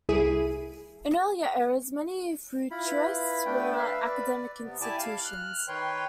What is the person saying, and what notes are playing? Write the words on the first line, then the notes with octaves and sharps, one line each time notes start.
In earlier eras, many futurists were at academic institutions.
C2 E4 G#4 D#7
E4 F4 B5
B4
A3 D4 G5
E5 F5
D5
C3 B3
E4 G4 D5 G#5 A5 D6
F5
F6 F#6
D#3 B4 C#5 G5 C6